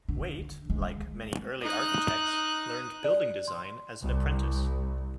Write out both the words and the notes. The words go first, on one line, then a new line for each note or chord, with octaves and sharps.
Waite like many early architects, learned building design as an apprentice.
D3
G#3
D#4 F#6
D5
C6
C2